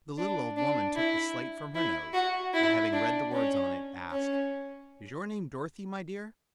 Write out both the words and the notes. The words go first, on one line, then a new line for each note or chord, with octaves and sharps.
The little old woman took the slate from her nose, and having read the words on it, asked, "Is your name Dorothy, my dear?"
D4
D4
E4
E4
F#4
E4
D4
C#4
C#4